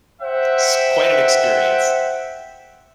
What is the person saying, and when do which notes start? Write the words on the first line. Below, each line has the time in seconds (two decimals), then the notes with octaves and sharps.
It's quite an experience.
0.22 C5 E5 F#5 G5